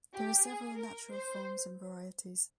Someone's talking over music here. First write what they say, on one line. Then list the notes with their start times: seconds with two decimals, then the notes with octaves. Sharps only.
There are several natural forms and varieties.
0.14 G4
0.46 G#4
0.78 A#4
1.12 C5